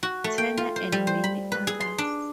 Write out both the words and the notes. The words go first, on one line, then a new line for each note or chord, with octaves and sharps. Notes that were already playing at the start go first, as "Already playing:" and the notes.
Turner and many others.
F#4
A3
G5
F4
C5
G3
C5
B5
B4
G#4
C6
D4